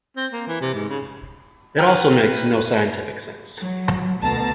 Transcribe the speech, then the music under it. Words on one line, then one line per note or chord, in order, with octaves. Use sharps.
It also makes no scientific sense.
C4
A#3
E3
C3
G#2
C#3
B4 G5 A#5 F6
F#3
D2 B2 A5 A#5